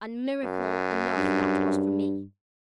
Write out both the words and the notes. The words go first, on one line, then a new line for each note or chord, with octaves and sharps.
And miracle enough that was for me.
F#2
G2